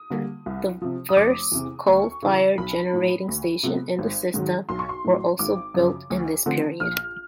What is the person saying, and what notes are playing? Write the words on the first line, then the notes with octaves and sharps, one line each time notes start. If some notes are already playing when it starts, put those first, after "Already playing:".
The first coal-fired generating stations in the system were also built in this period.
Already playing: D#6
D3 G3 A#3
C2
C3 F3
D#6
F1 D6
E2 C3
D2 C#6
C#3 E3
B1 B5
A2 F3
D2
C3 F3 G#3 B3
G#1
G#2 D#3 F#3
B1 C6
C#6
C6
A2 F#3
G#1 D6
F#2 C#3 F3
D2
D3 F3 A3 C4
A#1 F6